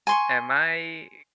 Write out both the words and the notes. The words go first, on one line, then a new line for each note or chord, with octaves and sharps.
am I
G#5 C6 C#6